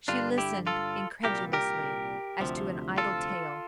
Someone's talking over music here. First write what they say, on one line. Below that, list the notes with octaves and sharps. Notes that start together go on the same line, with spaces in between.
She listened incredulously, as to an idle tale.
G2 D3 G3 D4 F4
E4 G4
F4 A4
C2 A#2 G3 G4 A#4
G4 A#4
D2 C3 F3
F4 A4